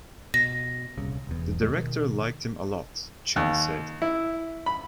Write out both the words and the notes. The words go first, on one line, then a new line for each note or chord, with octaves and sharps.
"The director liked him a lot," Chan said.
B2 A#6
D#1 C2 C#3
E1 E2
D2 G#3
B2 D#3
D#2
E4
B5